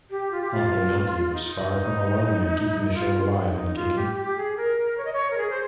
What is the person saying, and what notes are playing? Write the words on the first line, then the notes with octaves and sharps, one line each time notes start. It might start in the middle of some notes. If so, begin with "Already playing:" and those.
Uncle Miltie was far from alone in keeping the show alive and kicking.
G4
F4
G4
F4
D#4
F4
D#4
F4
G4
G4
G#4
A#4
C#5
D#5
C#5
A#4
G#4
C5